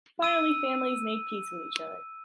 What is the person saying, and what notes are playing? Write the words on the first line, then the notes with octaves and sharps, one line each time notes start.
Finally, families made peace with each other.
E6 D#7